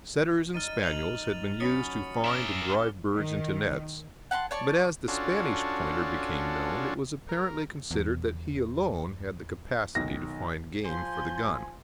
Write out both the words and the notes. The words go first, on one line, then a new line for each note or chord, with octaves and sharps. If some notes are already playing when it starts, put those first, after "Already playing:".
Setters and Spaniels had been used to find and drive birds into nets, but as the Spanish Pointer became known it was apparently considered that he alone had the capacity to find game for the gun.
D#4 F6 A6 D#7
F7 F#7
F#3 C#4 B5 D#6 A6 C#7
A#4 E5 D6 F6 G7
D#3
F#5 A5 A#5 C6
C#5 D5 A5 C#6
C#4 D4 F4 F#4 A4
A#4
E2
B1 D#3 A#6
F3 G#5 C6 G6